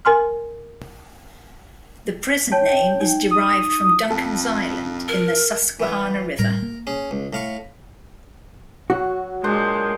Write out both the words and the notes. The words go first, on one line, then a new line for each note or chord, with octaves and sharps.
The present name is derived from Duncan's Island in the Susquehanna River.
A#4 G#5 C6 F6
C#5 G5 A5
D#4
D#6
F2 A4
A#4
E3 B3
A2 G3 A#4
A#3
C#4 G#4
C#2
A2 F5 C#6
F#3 F#4
A#2 G#3 D4 C5